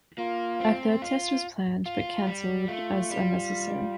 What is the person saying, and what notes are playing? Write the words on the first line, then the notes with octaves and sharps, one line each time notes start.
A third test was planned, but canceled as unnecessary.
A#3 F4
C4
F4
F4
G3
A3 F4
G3